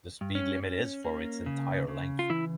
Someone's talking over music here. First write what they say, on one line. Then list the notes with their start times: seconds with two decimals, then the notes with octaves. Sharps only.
The speed limit is for its entire length.
0.21 G2
0.35 C#4
0.63 C#4
1.05 A#3
1.46 C#3
1.88 C#3
2.19 F4
2.30 E3 E4